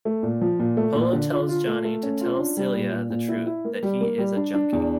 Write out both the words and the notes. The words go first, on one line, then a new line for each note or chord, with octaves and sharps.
Polo tells Johnny to tell Celia the truth, that he is a junkie.
A3
A#2
F3
A#2
A3
A#2
D3
F4
F4
A3
A3
C#4
F4
D4
G3
A#2
A#2
A#2
E4
E4
A#3
G3
A#3
G3
D4
D4
E2